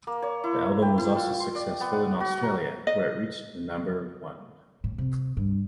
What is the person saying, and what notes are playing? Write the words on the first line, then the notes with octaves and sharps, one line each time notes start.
The album was also successful in Australia, where it reached number one.
A#3
C#5
E4
G5
E4
F4
C6
D5
B3
F#5
F#4
A#5
D#5
A2
C3
G2